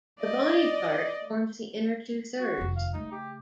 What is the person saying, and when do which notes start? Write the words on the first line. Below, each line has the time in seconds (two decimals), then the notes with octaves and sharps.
The bony part forms the inner two thirds.
0.20 D5 D#5
2.39 F#4
2.58 F1 D#2
2.76 F5
2.93 C#3 A3 D#4
3.11 G4